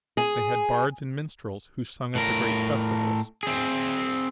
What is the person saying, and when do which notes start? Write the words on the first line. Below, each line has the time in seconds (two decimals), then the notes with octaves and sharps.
They had bards and minstrels, who sung at the great festivals.
0.17 G#4
2.15 A2 A#4
3.43 C4 G#4